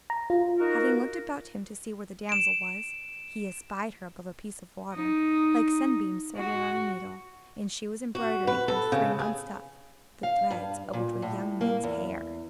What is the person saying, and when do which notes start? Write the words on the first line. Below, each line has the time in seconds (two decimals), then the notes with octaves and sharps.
Having looked about him to see where the damsel was, he espied her above a piece of water, like sunbeams threaded on a needle, and she was embroidering at a frame on stuff, the threads of which were young men's hair.
0.10 A#5
0.30 F4
0.59 D#4 F#4 A#4
2.29 D7 E7
4.93 D#4
6.37 F#4
8.15 F#4
8.47 B4
8.68 A4
8.92 C#3
9.19 G#4
10.23 F5
10.51 G2
10.93 A#2
11.22 A2
11.61 A#3
11.84 E2